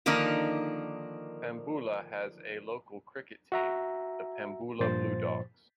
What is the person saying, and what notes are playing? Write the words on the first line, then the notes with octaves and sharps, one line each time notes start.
Pambula has a local cricket team, the Pambula Bluedogs.
D3 D#3 F3 A#3 D4 D#4
F#4 E5 A#5
G2 A#2 F3 C5 A6